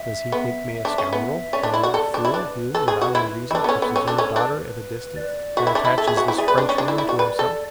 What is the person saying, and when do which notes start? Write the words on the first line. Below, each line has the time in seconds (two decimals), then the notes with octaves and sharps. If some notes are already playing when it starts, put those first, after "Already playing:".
Does he think me a scoundrel, or an old fool who, without any reason, keeps his own daughter at a distance and attaches this Frenchwoman to himself?
Already playing: E5
0.32 B3
0.73 E5
0.85 D4
0.98 C#4
1.13 B3
1.53 C#4 D5
1.63 D4
1.73 E4
1.83 F#4
1.94 A4
2.14 D4
2.25 E4
2.34 D4 B4
2.75 A4
2.88 G#4
3.01 F#4
3.15 E4
3.51 E4
3.55 D4 A4
3.64 B3
3.69 C#4
3.82 B3
3.96 C#4
4.08 D4
4.18 C#4
4.35 D4 B4
5.16 D5
5.57 F#4 E5
5.67 E4
5.75 D4
5.85 E4
5.98 A4
6.07 G#4
6.17 F#4
6.28 E4
6.38 G#4 D5
6.48 B4
6.58 D4
6.69 C#4
6.78 D4 D5
6.88 E4
6.98 E4
7.09 F#4
7.19 B4
7.39 A4